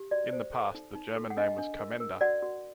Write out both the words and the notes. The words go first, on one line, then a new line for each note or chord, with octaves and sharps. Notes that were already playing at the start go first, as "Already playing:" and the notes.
In the past the German name was "Commenda".
Already playing: G4
F#4 D5
C5
A4
D#4
D#4
A4
F#5
D4 D#5
D4
A#4
A#4
F#4 D5 F#5
F#4